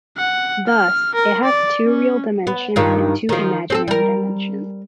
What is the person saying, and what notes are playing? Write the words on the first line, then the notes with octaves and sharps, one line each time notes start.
Thus it has two real dimensions and two imaginary dimensions.
F#5
F6
A#4
D5
C#4
B3
G2 D#3 F4
D#3 F3
C4 G#4 A4
G3 A#4